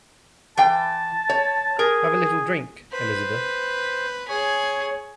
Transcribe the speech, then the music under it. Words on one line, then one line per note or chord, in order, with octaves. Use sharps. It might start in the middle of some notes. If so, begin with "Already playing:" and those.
Have a little drink, Elizabeth?
E3 G5 A5
C#5
G#4 A#4
B4 C5
G#4 C#5